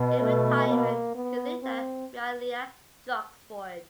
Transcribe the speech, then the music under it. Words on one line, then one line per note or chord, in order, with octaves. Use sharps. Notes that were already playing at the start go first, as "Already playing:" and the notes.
In retirement he lived at Meon Lea, Droxford.
Already playing: B2
A3
A#3
B3
C4